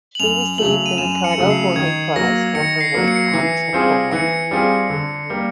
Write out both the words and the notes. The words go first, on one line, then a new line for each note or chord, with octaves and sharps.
She received the Ricardo Jorge Prize for her work on trachoma.
F#7
F#2 F7
C#3 F#3 A3 F#7
D#7
F#2 E7
C#7
C#3 F#3 A3
C7
D#3 G#6
F#3 A#3 A#6
D#3 C#7
C7
F#3 A#3
C#7
E3 C7
G3 C4 F4 G#4
E3 C#7
G3 C4 F4 G#4
D3
G3 A#3